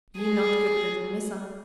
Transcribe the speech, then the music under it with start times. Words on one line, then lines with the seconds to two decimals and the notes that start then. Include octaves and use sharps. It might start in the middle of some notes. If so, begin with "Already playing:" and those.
You not good little Missa.
0.17 G#4